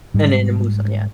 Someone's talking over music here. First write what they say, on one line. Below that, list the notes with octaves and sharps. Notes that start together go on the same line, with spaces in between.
and then it moves on, yeah.
G#2 G3